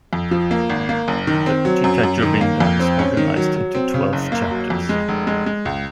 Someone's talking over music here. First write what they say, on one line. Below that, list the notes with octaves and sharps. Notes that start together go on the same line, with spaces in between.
The Gita Govinda is organized into twelve chapters.
F2
F3
A#3
G#1
A#3
F#1
D#3
C4
F#3
F#2
F#2
D#3
A#3
F2
C4
C#4
D#3
F#3
F#3
C4
C#3
F#1
A#3
F#3
F2
G#3
F1
G#3
G#3
C#2